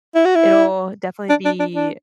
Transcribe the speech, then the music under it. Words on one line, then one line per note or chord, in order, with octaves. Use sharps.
it'll definitely be
E4
F#4
E4
D4
D4
D4
D4